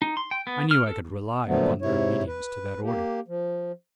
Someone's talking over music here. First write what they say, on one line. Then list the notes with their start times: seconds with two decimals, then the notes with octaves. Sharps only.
I knew I could rely upon their obedience to that order.
0.02 D#4
0.17 C6
0.31 G5
0.47 B3
0.71 F6
0.87 A4
1.47 A#2 D3 F3 F#3 A3 B3
1.82 G#2 C3 E4 C#5
2.27 B4
2.84 A#3 G4
3.28 F3